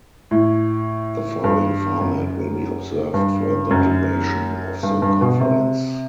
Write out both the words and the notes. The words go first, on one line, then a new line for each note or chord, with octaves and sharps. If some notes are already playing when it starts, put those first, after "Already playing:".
The following format will be observed for the duration of the conference.
A2
G2
F#2
G2
F#2
G2
G2
B2
C3